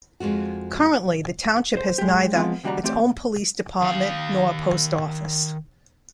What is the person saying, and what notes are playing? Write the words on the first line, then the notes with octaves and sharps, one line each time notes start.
Currently, the township has neither its own police department nor a post office.
F2 G#3 F4 F#4
C5
G#3 G4
F3 G#3 B3 C4 F4
D#2 C#3 G3 F#4 D5 A#5
E3 A3 C4 G4
D#3 F5